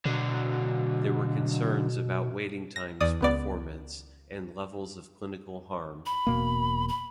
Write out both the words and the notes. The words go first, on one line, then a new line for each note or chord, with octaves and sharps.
There were concerns about waiting times performance, and levels of clinical harm.
B2 D3 F#3
A#6
E2 D5 D#6
C#2 B3 D5
B5
E1 B2 A#3
B5